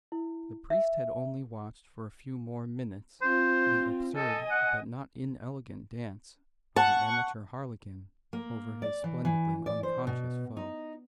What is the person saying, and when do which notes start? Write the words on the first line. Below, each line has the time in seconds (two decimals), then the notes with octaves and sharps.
The priest had only watched for a few more minutes the absurd but not inelegant dance of the amateur harlequin over his splendidly unconscious foe.
0.12 E4
0.70 E5
3.22 C4 F4 C5
4.16 A4 D#5 G#5
4.51 F#5
6.76 F#5 A5 C#6
8.33 A#3
8.82 D5
9.04 E3
9.25 E3
9.66 D5
9.83 C5
10.07 B2
10.57 D#4